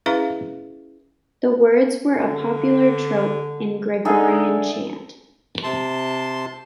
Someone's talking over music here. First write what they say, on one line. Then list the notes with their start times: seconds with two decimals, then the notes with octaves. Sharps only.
The words were a popular trope in Gregorian chant.
0.06 C#4 E4 G#4 B4 E5 F5
2.13 D3
4.05 D3 D#4 G#4 E5
5.63 C3 A5 C6